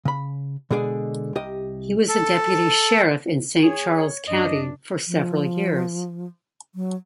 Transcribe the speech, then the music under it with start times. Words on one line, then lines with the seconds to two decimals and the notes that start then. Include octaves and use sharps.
He was a deputy sheriff in Saint Charles County for several years.
0.05 C#3 B5
0.70 B2 D3 G#3 G#4 D5
1.35 C2 G4 D#5
2.09 A4
3.63 G#4 C#5
4.28 F#2 D4 D#5
5.07 F3
6.75 F#3